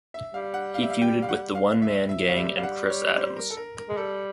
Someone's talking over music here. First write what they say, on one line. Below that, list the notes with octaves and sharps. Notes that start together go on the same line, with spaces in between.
He feuded with the One Man Gang and Chris Adams.
E5
G3 F5
F#5
F5
E5
F5
G5
F5
F#5
F5
E5
E5
F#3 F5
G3 E5
F5
F#5
C#5
C5
A#4
A4
A#4
A#4
G#3
G3 A4